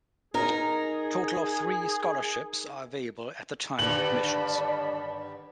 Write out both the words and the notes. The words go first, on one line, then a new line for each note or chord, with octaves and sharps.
Total of three scholarships are available at the time of admissions.
D#4 G#4 A#4
G2 D3 D#3 D5 A5 B5 F#7